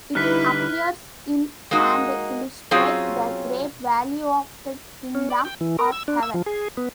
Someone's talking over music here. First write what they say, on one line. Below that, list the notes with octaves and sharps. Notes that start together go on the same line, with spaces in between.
It appears in and illustrates the great value of the Kingdom of Heaven.
D3 G3 D#4 E4 B4 F6 F#6 B6
G#3 A#3 D#4 F#4
F#3 C4 C#4 F4 F#4 G#4
C#4
D5
G5
E3
A#4
E6
D4
E6
F3
G#4
B3